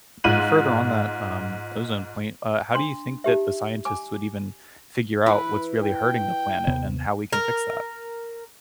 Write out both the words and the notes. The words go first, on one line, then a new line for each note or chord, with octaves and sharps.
and further on that, um, ozone point, uh, how do you think that the scientists would even figure out what's really hurting the planet and how we can fix that?
G#2 F4 D#7 F#7
D4 C6
D#4 G4 E5
G#5 D6
E3 B4
G5
D#2 C3 B3
A#4